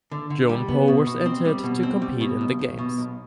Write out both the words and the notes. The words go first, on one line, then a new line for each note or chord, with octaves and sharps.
Joan Poh was entered to compete in the Games.
D3
D3
G3
B3
B2
B2
C4
G3
B2
C4
G3
B2
B1
B1
B2
B1